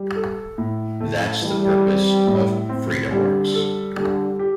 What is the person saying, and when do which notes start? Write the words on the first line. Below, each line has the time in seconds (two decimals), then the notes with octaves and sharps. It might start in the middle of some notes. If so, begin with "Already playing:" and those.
That's the purpose of FreedomWorks.
Already playing: G3
0.15 A4
0.58 A2
1.00 A3
1.42 E3 G3
1.86 C4
2.27 A2
2.69 C4
3.12 D3 G3
3.54 A4
3.97 D3 G3
4.39 G4